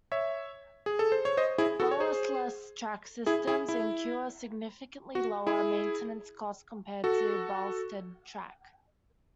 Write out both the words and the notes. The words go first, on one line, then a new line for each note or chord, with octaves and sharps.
Ballastless track systems incur significantly lower maintenance costs compared to ballasted track.
C#5 E5
G#4
A4
C5
C#5
C5 D#5
E4 G#4
F#4 A4
C#5
G#4 C5
E4 G#4
E4 G#4
E4
F#4
E4 G#4
F#4 A4